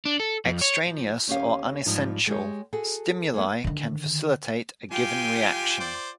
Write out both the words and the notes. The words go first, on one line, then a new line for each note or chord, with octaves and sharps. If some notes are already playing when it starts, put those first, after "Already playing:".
Extraneous, or unessential, stimuli can facilitate a given reaction.
D4
A4
F2
C#5
F3
D#2 C#4 G4 F5
G#2 F3 G3 D#4
G#3 G4 C#5
F#4 G#4 A4
G#3 A3 B3
D3 D#3
F4 G4 G5 G#5
C5 D5